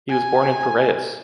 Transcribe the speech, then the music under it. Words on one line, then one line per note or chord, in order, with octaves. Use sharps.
He was born in Piraeus.
G#5